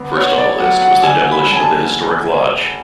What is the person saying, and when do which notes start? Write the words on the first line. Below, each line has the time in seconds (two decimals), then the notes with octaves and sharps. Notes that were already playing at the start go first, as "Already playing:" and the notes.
First on the list was the demolition of the historic lodge.
Already playing: D2 B3
0.17 B3 C#5
0.38 D5
0.59 F#3 F#5
0.81 F#5
1.03 D3 G#5
1.32 B5
1.46 F#1
1.53 G#5
1.60 A5